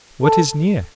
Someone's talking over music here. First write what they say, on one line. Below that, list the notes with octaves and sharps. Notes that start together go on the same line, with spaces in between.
What is near?
A4